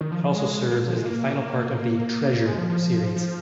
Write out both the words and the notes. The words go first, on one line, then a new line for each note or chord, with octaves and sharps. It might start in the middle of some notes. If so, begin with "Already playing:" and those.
It also serves as the final part of the "Treasure" series.
D#3
F3
F3
G#3
A#3
F3
G#3
A#3
A#3
G#3
F3
F3
F3